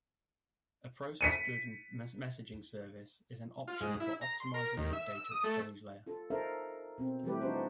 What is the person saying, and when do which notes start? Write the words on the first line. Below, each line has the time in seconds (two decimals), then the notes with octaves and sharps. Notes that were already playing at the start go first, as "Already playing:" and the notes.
A Process Driven Messaging Service is an option for optimizing your data exchange layer.
1.21 B6 C#7 D#7
3.68 F4
3.81 G#2
4.00 E4
4.21 A#5
4.40 C6
4.54 A#4
4.77 D#2
4.93 E5
5.15 E6
5.31 D#6
5.44 A3
6.06 F4 A4
6.30 D#4 A4 A#4 C5 E5 F5
6.98 B2 C4
7.23 E3 F3 G3 A3 G4 B4
7.41 E3 D4 D#4 F#4 C5